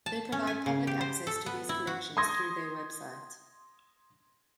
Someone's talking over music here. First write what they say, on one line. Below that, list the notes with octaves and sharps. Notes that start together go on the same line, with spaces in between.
They provide public access to these collections through their website.
A5
C#4
G#5
C#3
G4
C5
A4
B3
E4
F#4
C6 D#6 G#6 A#6